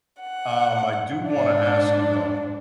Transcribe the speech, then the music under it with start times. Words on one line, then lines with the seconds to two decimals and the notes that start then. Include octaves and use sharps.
um, I do wanna ask you, though,
0.22 F#5
1.27 G#2 D4